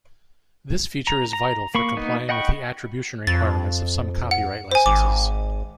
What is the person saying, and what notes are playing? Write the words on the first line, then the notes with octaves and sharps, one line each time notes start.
This feature is vital for complying with the attribution requirements of some copyright licenses.
A#5
A#5
A#3 B5 C#6
A#3 B3 D#4
D#5 F#5 G5 B5 C#6
F2 A6
F#5
C5 G#5
G#1 D6